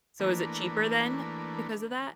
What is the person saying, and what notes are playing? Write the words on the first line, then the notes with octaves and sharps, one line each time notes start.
So is it cheaper then because of that?
E3 A3 A#3 D4 B4